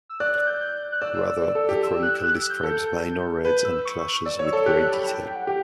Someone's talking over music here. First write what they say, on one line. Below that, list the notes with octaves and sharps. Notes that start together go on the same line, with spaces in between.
Rather the chronicle describes minor raids and clashes with great detail.
E6
D5 F#6
F#6
G6
G6
F#6
D5 E6
D5
A4
G4
E6
F#6
E6
F#6
E6
G6
A4
B4 G6
E6
C#6
D5 E6
C#5
E6
A4
G4 F#6
F#6
A5
B5
G5
G5
F#5
G4 G5